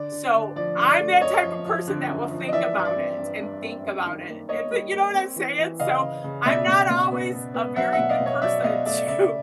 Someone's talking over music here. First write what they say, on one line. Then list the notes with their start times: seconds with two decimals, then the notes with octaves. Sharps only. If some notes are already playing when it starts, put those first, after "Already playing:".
So, I'm that type of person that will think about it, and think about it, and thi you know what I'm saying? So, I’m not always a very good person to
Already playing: D3 D5
0.12 D3
0.34 D3
0.56 F3 D5
0.78 D3
0.89 D5
1.00 A3
1.21 F#2 C#5 D#5
1.43 F3
1.65 F3
1.88 D3
2.09 F#2
2.31 F3
2.48 D#5
2.53 E3 D5 E5
2.74 G2
2.85 D5
2.96 C4
3.18 G2
3.40 G2
3.62 C4
3.83 F#2
4.06 D#3
4.28 A#3
4.49 A#3 C#5 D#5
4.71 G3
4.92 A#3
5.14 C4
5.36 E3
5.59 E3
5.80 C#3 D#5 F5
6.02 C#3
6.24 C#3
6.45 B2 D5 E5
6.68 B2
6.90 B2
7.12 B3
7.33 B3
7.54 B3
7.76 F#3 E5 F#5
7.93 E5 F#5
7.99 B2
8.09 D#5 F5
8.20 B2
8.26 C#5 D#5
8.42 F#3 D5 E5
8.64 B2 D#5 F5
8.86 A3 D5 E5
9.07 C#3 D5 E5